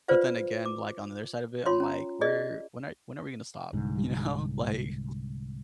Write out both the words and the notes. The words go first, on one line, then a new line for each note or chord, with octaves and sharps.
But then again, like, on the other side of it, I'm, like, "Where when are when are we gonna stop"? You know, like,
F4 B4 C5 D5 F5
D6
F4 C#5 C6
C#4 A#5
G#4 D5 D#5
C2 G#2 D3